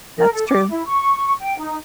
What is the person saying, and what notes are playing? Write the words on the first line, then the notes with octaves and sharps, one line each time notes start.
That's true.
A#4
A4
D6
E4
C#6
G5
D#4